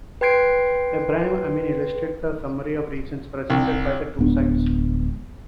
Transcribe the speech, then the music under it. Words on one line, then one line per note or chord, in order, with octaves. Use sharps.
Ebrahim Amini listed the summary of reasons presented by the two sides.
B4 G5 C6 G#6 C7 D7
C2
D1 G#3 B3 D4